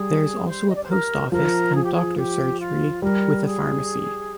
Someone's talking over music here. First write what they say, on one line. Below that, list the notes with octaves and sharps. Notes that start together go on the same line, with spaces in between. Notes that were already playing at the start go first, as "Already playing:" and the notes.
There is also a post office and doctors' surgery with a pharmacy.
Already playing: G3 G#4
C5
D#5
D5
C5
A#4
C5
F3 A#4
G#4
G4
G#4
G4
F4
G3 A#4
G#4